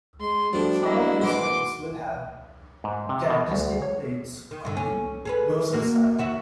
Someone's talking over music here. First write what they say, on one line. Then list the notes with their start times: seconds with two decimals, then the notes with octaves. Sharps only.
Some of these rings will have characteristic plates on the dorsal side.
0.20 G#3 C6
0.53 F3 G3 A3 D4 F#4
0.83 A#3 D4 E4 D#5
1.21 G#2 E3 F#4 C6 D6
2.84 G#2
3.09 C3
3.30 B2
3.52 D2
3.82 C#5
4.51 D#3
4.65 G2 D3
4.77 C#4
5.25 G#4 A4 B4
5.73 A#2 A#3 F#4
6.18 D#2 F#4 E5